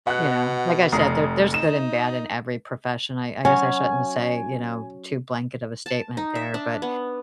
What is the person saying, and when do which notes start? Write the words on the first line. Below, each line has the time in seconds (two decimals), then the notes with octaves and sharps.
you know. Like I said, there there's good and bad in every profession, I I guess I shouldn't say, you know, too blanket of a statement there, but
0.07 B2 F#5 F#6
0.92 F1 A#5 D#6 C7
1.54 D#4 E7
3.45 F#3 C#4 G#5
5.86 A5
6.17 D#4
6.35 E5
6.54 D4
6.82 B3